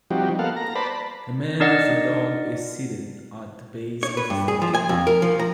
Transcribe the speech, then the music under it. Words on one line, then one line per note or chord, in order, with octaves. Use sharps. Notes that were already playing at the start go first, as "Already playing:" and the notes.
A man with a dog is seated at the base of a statue.
F3 G3 C4 D#4 F#4 G4
A#3 B3 A4 F5 F#5
A#5
B4 C5 D5 A5 B5
D4 D#4 A#4 D5 D#5 F#5
C#5
B4
G2
G#4
F3
G#5
F2
A#4
F3
A#5